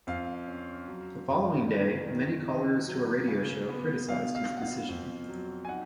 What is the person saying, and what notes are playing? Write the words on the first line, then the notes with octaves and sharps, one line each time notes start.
The following day, many callers to a radio show criticised his decision.
F2 F5
C#4
F#3
F#2
D#3
D#3
D#3 D#5
F#3
C#3
B3
B2 F5
F5
B2
F#5
F5
F2
F#3
G#5
D#4 F#5